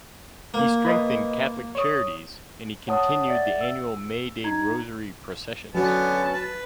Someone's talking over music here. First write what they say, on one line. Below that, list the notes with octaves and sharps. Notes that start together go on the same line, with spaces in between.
He strengthened Catholic Charities, and he continued the annual May Day rosary processions.
A#3
B4 D#5 B5
C#5 D#6
C#5 F#5 A5 D#6
D5 E5 F#5 A6
E6
D#4 A#5 G#6
D3 F#3 B3 C#4 A5
B4